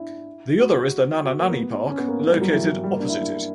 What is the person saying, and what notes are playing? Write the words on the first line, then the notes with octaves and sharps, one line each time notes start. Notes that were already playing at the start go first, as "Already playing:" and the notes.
The other is the Nana Nani Park, located opposite it.
Already playing: D4 E4
F#4
F#4
A#3
B3
C#4
B3
A#3
A#3
G3
F#3
E3
F#3
G3
A#3
D4
E4